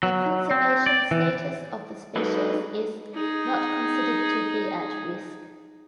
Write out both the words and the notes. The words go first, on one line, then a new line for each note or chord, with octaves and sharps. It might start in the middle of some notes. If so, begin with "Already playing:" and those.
The conservation status of the species is "not considered to be at risk".
F#3
C4
D5
E3
F#3 G#3 D#4 A4 B4
D#4 G#4